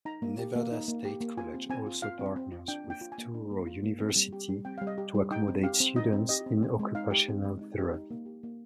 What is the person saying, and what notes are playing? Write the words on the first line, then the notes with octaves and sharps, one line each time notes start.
Nevada State College also partners with Touro University to accommodate students in Occupational Therapy.
D#4 A#5
A#3
G4
A#3
D#4
A#3
G4
A#3
F4 G#5
C4
C4 G#5
F4
F4 F5
C4
C4
F4
D4 G5
A#3
G5
F4
G#5
A#3
D4
A#3
F4
A#3
C4
G3
G4
G3
C4 G5
G3 F5
D#5
G4
G3
D#4 G5
C4
G4 F5
C4
D#4 D#5
C4
G4 D#5
C4
C4
G#3
D#4 F5
G4
C4
G#3
D#4
G4
D#4
A#3
G4
A#3